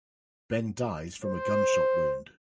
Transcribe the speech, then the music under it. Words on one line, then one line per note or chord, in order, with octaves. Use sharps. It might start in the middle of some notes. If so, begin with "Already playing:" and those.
Ben dies from a gunshot wound.
C5